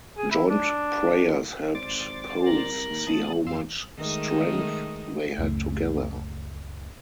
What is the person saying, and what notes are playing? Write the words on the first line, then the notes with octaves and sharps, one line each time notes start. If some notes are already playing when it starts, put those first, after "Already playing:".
Joint prayers helped Poles see how much strength they had together.
G#4
E4
D4
G#1 C5 D5 A6 D7
D7
C2 A#4 F#7
D#2
E2 A5 D#6
F2 F5 C6 E6
D#3 G#3 A3
C#2 F#2 C#3 A3